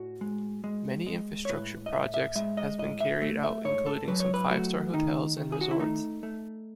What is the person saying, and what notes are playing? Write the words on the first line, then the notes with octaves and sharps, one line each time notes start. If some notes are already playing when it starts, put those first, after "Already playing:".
Many infrastructure projects has been carried out including some five-star hotels and resorts.
Already playing: A2 F#4
G#3
G#3
G#3
C#5
A2 B4
D#5
A2 E5
E5
G#3 E5
D#5
A2 D#5
E5
A3
E5
G#2 C#5
A4
F#3 B4
C#5
B4
A3 F#4
D#3 D#4
D#3
G#4
F#4
E4
A3 D#4
A3